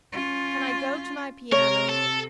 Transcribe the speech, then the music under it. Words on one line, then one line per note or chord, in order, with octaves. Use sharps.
Can I go to my piano?
C#4 F4
C3 A#4 C#5
A4